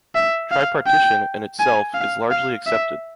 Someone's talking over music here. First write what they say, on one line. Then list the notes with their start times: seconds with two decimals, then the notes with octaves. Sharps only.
Tripartition, in itself, is largely accepted.
0.15 E5
0.51 F5
0.87 G5
1.59 G#5
1.94 F5
2.31 F5
2.66 E5